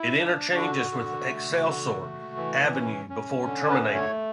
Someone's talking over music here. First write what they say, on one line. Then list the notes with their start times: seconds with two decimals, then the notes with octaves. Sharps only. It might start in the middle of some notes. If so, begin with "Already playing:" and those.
It interchanges with Excelsior Avenue before terminating.
Already playing: E4
0.18 D4
0.55 D3 F#4
0.91 D3
1.28 A3
1.64 D3
2.00 A3
2.37 E3
2.73 C#4
3.10 C#4
3.46 D3
3.70 B4
3.81 A3
3.94 C#5